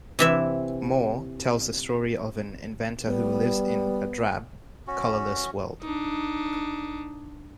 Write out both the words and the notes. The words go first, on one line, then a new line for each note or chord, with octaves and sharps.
"More" tells the story of an inventor who lives in a drab, colorless world.
C3 E3 E5
G3 B3
C#4 F#4
D4 D#4